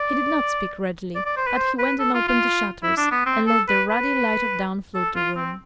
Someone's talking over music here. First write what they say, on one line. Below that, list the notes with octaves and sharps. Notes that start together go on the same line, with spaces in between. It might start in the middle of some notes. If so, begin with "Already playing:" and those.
He did not speak readily; but he went and opened the shutters, and let the ruddy light of dawn flood the room.
Already playing: D5
D5
D5
C5
B4
C5
B4
A4
F4
F4
E4
D4
B3
C4
A4
B4
B4
A4
F4
C4